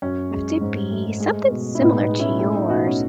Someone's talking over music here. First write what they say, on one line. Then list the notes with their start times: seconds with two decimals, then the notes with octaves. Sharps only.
to be something similar to yours,
0.02 F#2 C#4
0.31 G#3
0.61 G#2
0.91 A3
1.20 G#3
1.50 B2
1.75 E4
1.80 A2 B3 D#4
2.00 B3 D#4
2.09 G#3
2.20 C#4 E4
2.39 A3 C#4 E4
2.54 D#4
2.62 E4
2.68 B2 D#4 F#4
2.87 C#4